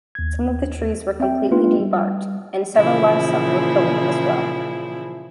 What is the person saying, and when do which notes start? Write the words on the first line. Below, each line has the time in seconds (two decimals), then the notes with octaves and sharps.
Some of the trees were completely debarked, and several livestock were killed as well.
0.15 D#2 G#6
1.20 C4 E5 G5
1.51 A3 B3 D4 D#4 F4 B4
1.80 G3
2.75 A#2 C#3 E3 F3 E4 G#4